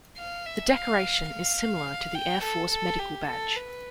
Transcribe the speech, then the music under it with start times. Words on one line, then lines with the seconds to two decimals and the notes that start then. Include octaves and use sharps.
The decoration is similar to the Air Force Medical Badge.
0.17 F5
0.46 E5
0.73 F5
1.30 F5
2.15 G5
2.42 A4
2.71 A4
2.99 G4
3.27 A4
3.56 B4